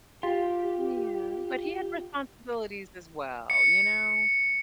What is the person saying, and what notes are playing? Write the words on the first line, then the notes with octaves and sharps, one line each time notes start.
Yeah, but he had responsibilities as well, you know?
F4 G4
C#7